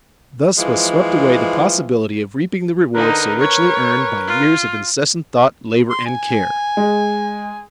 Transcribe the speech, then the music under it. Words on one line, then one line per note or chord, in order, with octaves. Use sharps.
Thus was swept away the possibility of reaping the reward so richly earned by years of incessant thought, labor, and care.
E3 F3 G#3
D3 D#4 A#4 B4
C#5
F4
C6
G#5
G#3